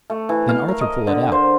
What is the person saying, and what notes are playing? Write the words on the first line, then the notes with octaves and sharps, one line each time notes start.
Then Arthur pulled it out.
A3
E3
F5
A#4
D#5
D3
C5